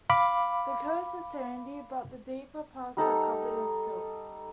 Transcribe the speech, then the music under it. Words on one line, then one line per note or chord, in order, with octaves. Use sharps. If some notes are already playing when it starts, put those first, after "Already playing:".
The coasts are sandy but the deeper parts are covered in silt.
F5 B5 D6
G3 D#4 A4 A#5